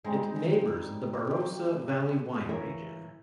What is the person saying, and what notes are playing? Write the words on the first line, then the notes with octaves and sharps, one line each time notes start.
It neighbours the Barossa Valley wine region.
G3 G#3 C4 D#4
G4
E3 A#4 C#5 E5 F5 G#5